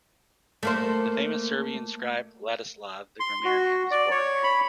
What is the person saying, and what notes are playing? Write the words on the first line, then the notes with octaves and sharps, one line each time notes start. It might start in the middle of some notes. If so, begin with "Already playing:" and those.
The famous Serbian scribe Vladislav the Grammarian was born here.
A3 A#3 C5
C6
F#4
D5
C#5
B5